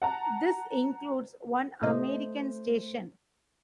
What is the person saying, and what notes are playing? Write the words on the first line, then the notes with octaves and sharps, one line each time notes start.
This includes one American station.
F#5 A5 A#5
A2 C3 A3 C5 D#5